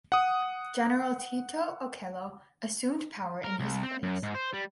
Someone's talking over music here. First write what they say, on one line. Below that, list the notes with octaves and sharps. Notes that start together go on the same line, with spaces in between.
General Tito Okello assumed power in his place.
F#5 D#6
A#4
C2
C4
F#2
G#2
C5
G3